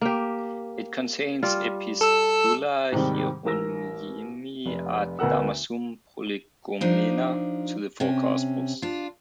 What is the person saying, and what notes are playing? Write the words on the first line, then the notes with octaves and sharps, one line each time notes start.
It contains Epistula Hieronymi ad Damasum, Prolegomena to the four Gospels.
A#3 G4
G3 F4
A4 E6
G#2 C3 D#3 G3
A1 A#4 E6 A#6
F1
D2 B3 A#4 F#5 E6
F3 D4 D#4
C3 C#4
D4 F4